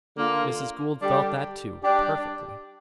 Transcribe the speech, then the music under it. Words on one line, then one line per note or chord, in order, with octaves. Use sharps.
Mrs. Gould felt that, too, perfectly.
D3 A#3 F4
D3 G3 D4 G4
G3 D4 G4